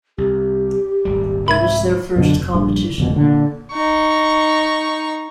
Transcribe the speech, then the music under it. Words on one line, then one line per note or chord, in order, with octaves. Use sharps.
It was their first competition.
C2 G4
D#1 G#1 G3
C2 G#2 E5 B5 G#6
F#2 B2 D3
F1
A#1 G2
G1 F2 B2
A#2 D3
D#4 C#6